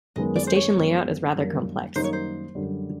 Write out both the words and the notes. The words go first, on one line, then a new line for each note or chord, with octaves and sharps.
The station layout is rather complex.
F#2 D#3 G#3 B3 D#5
D5
C5
C#5
F#2 D#3 G#3 B3
F#2 D#3 G3 A#3 D#4
F#2 D#3 G3 A#3 D#4 C5
C#5
C5
F#2 D3 G3